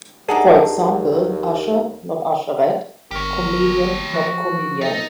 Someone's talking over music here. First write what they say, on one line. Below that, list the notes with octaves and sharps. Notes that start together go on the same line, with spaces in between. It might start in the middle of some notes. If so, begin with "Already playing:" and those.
For example, "usher", not "usherette"; "comedian", not "comedienne".
D#2 D4 D#4 G#4 A4 F#5
G1 G4 A#4 C#5
F3 F#4
D#4 A4